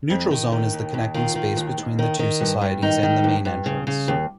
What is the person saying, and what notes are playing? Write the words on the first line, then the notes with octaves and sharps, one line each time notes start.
Neutral Zone is the connecting space between the two societies and the main entrance.
F2
D#3
D#3
D#2
D#2
D#3 F4
D#3
D#2
D#2
D#3
D#3
G2
G2
D#3 D#4
D#3
G2
G2
C#3
C#3
D#2